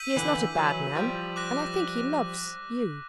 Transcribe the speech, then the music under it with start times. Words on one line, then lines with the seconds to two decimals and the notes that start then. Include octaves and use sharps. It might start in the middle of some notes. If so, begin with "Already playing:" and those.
"He is not a bad man and I think he loves you."
Already playing: E6 G6 B6 D#7 F#7
0.17 D3 E3
0.57 E3 F#3
0.96 F3 G3
1.36 D6 F#6 A#6